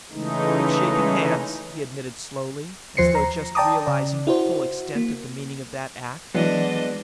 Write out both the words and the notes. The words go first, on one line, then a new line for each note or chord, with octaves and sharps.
"We've shaken hands," he admitted slowly, as though just realizing the full extent of the meaning of that act.
C#3 E3 G#3 A3 D#4
D#2 F3 C5 C7 C#7
A#5
D5 G5 A5 A#5 D6 D#6
C#3 D5
E4 F#4 C5
A#3
E3 F#3 G#3 B3 D4 D#5